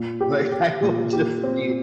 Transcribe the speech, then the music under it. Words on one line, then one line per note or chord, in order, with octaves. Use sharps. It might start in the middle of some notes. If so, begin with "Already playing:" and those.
Like, I will just be
Already playing: A#2
G4
G4
A#2
G4
C4